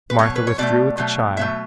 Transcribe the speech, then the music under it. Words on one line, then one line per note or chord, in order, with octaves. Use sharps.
Martha withdrew with the child.
B4
B2 F#3 A3 C#5
B4
C#5
B2 F#3 A3 D5
B2 F#3 A3
B2 F#3 A3 E5